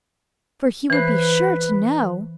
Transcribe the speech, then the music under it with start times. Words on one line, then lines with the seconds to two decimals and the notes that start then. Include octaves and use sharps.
For he would be sure to know.'
0.90 E3 B4 C5